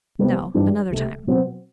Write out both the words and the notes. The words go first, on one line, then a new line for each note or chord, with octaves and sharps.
"No, another time."
C3 G3 B3
G2 E3 G3 D4
C2 C3 F#3 A3
B2 F#3 C4